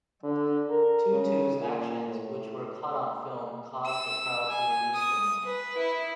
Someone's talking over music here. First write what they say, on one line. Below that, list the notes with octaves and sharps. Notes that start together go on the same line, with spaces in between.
Tutu's actions, which were caught on film, caused the crowd to release the man.
D3
A#4
C#3
A#2
A2
E6
G#5
D#6
B4
E4